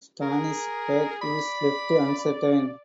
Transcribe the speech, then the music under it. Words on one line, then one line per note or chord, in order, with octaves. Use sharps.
Stannis's fate is left uncertain.
G#4 A#4
D5 B5